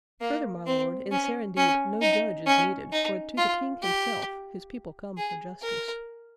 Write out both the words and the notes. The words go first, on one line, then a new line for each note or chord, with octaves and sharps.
"Further, my lord, in Serendib no judge is needed, for to the king himself his people come for justice."
A#3
C4
C#4
C#4
D#4
C#4
D#4
F4
G4
G#4
A#4